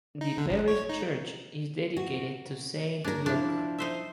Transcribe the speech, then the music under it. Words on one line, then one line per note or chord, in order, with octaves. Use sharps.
The parish church is dedicated to Saint Luke.
D#4
D3
A1
C#5
D#4
F#4
C#4 D4 A#4
F3 D4 E4
D#4 C5 E5